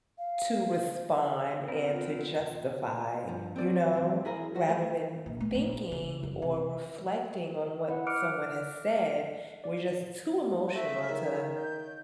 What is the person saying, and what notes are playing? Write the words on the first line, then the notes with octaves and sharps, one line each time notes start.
to respond and to justify, you know? Rather than thinking or reflecting on what someone has said, we're just too emotional to
F5
B3 C4 A#4
F4
G2 F3
C4 C5 D5
E3 F#3 C4
E4 G#4 A#4
G3 F#4
E3 G3 A3
A#1
A3
A#1
C#3
F#2
C3
E4 B4 F#5
D6 F6 F#6 C#7 D7
D5
A3 E5
D#3
G6